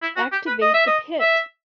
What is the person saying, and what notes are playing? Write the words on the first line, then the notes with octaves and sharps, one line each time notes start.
Activate the pit!
E4
F#4
G4
B4
D#5
E5
D#5
E5